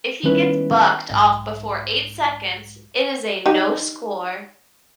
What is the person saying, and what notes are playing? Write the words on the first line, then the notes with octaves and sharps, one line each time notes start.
If he gets bucked off before eight seconds, it is a no score.
D#3 G3 B3 C#4 E4 B4
B1 G#2
D#4 G4